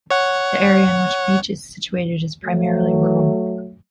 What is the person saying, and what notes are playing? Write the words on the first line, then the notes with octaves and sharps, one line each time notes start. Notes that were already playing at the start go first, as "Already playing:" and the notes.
The area in which Beech is situated is primarily rural.
C#5 F#5
F#3 A3